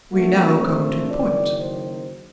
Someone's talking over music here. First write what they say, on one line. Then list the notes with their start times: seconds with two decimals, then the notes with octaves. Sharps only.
We now come to the point.
0.11 A#1 A#2 A3 C4 F#4
0.60 C5
1.10 F#1 F#2 D#3 D5
1.60 C5